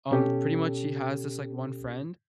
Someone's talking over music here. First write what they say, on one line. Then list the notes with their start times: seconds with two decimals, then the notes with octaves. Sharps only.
um, pretty much he has this like one friend.
0.11 B2 C#4 G4 A4